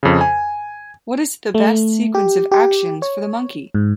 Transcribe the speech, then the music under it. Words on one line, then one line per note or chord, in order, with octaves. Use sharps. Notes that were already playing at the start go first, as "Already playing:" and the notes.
What is the best sequence of actions for the monkey?
F2 C#3
G#5
A3
G4
G4
C#5
G#2